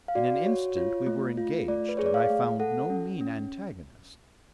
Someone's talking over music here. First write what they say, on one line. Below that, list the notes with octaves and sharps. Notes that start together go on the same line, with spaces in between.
In an instant we were engaged, and I found no mean antagonist.
F5
F#4 D5
F#4 C#5
F4 C#5
A3
F4
A3 D5
B4
G#4 C#5
D5
F5
A3
A4 F#5
C#4
C#4